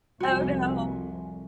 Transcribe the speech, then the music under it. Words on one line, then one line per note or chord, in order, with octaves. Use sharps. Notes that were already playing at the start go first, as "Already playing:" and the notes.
Oh, no.
C2 F2 F#4 G#5